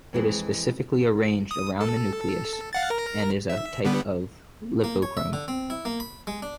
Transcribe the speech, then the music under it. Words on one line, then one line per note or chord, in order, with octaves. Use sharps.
It is specifically arranged around the nucleus, and is a type of lipochrome.
F2 E3 G#3
D#6
A4
F5 F#5 A6
A#4 A#5
E5
D3 G3 B3
A#3
C#5
E5
D3
C4
E4
A#3
B5
G#3
D4